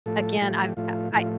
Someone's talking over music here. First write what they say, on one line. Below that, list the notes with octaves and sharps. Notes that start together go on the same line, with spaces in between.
again I've I I
A2 F3 A3 A4
A2 F3 A3 G4
A2 F3 A3 F4
A2 F3 A3 E4
F4